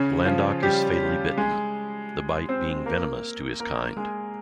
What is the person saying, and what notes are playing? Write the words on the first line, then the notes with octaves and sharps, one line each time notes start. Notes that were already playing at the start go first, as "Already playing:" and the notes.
Landok is fatally bitten, the bite being venomous to his kind.
Already playing: C#3 C#4
F3 F4
G3 G4
G#3 G#4
C4 C5
A#3 A#4
A#3 A#4
G#3 G#4